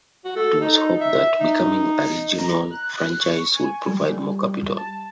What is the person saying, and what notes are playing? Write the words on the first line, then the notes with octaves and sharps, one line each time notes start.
It was hoped that becoming a "regional" franchise would provide more capital.
F#4
A4
D#4
E5
D#4
A#5
F#6
C#6
G#5
G3
A5